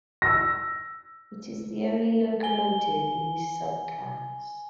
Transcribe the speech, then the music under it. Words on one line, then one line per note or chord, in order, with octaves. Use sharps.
It is the only locomotive in this sub-class.
E6 A#6
G#5 G7